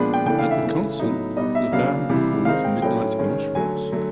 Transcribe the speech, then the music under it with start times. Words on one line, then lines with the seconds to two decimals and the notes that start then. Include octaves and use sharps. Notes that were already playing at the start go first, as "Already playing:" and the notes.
At the concert, the band performed "Midnight Mushrumps".
Already playing: A#2 F3 G#3 B3 D4 B5
0.14 G5
0.26 C#3 E3 A3 D4 G5
0.39 F5
0.51 E5
0.63 C#3 E3 A3
1.00 A2 F#3 B3 D#4
1.36 B2 G3 B3 D#4 D#5
1.55 E5
1.72 C#3 F#3 A#3 D4 F5
2.09 C3 E3 G3
2.45 D#3 G#3 C4 D#4 F5
2.65 G5
2.82 A2 F#3 A3 C#4 G5
3.19 D#3 G#3 C#4
3.55 D3 F#3 A3 G#5
3.92 D3 F#3 A3